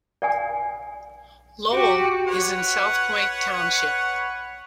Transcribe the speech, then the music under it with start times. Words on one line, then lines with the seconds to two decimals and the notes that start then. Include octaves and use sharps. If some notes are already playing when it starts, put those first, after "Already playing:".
Lowell is in South Point Township.
0.22 D5 F#5 G#5
1.73 F#4 G4 D6
2.27 B4 C#5 F#5